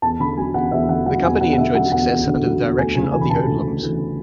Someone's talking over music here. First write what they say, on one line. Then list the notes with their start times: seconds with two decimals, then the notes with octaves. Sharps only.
The company enjoyed success under the direction of the Odlums.
0.02 E2 A5
0.20 D3 B5
0.37 F#3 G#5
0.54 E2 F#5
0.71 E2 E5
0.89 D3 F#5
1.06 F#3 F#5
1.23 E2 G#5
1.34 G#5
1.40 E2 F#5
1.53 F#5
1.58 D3 E5
1.75 F#3 F#5
1.92 E2 F#5
2.09 E2 F#5
2.27 D3
2.44 F#3
2.61 E2
2.78 D2 G#5
2.95 C#3 G#5
3.12 E3 G#5
3.21 B5
3.30 D2 A5
3.47 D2
3.64 C#3
3.82 E3